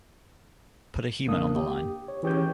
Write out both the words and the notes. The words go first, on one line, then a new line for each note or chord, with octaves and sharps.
Put a human on the line.
A1 C#3 A#3 D4 D#6
G4
C#5
E3 C#4 G4 G#4 C#5 G6